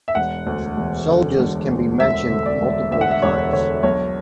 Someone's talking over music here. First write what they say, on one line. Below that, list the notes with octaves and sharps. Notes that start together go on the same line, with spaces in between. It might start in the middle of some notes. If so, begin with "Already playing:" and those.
Soldiers can be mentioned multiple times.
E5
E1 F#5
D2
E1
D3
E1
D2
E1 E5
D3
D5
E1
D2 E5
F#5
E5
E1 C#5
D3 C#5
B1 C#5